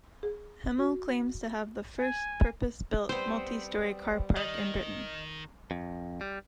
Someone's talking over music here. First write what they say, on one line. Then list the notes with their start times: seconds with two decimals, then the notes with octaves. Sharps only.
Hemel claims to have the first purpose built multi-storey car park in Britain.
0.23 G#4
0.78 F#4
1.99 G#5
3.09 G3 B3 C4 C5
4.36 D#3 D#5
5.71 F2
6.21 G3